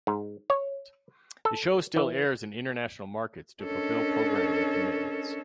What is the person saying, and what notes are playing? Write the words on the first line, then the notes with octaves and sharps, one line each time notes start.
The show still airs in international markets to fulfil programming commitments.
G#2
C#5
A4
E3
C#4 D4 A4 A#4 C#5 D#5